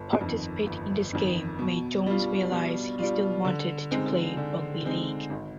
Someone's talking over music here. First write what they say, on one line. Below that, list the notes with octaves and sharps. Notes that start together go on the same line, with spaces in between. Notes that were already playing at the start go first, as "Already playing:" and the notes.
Participating in this game made Jones realise he still wanted to play rugby league.
Already playing: G1
F2 D#3
G1
F2 D#3
B2
G3 D4 F4
B2
G3 D4 F4
D3
G#3 C4 D#4
D3
G#3 C4 D#4
G#1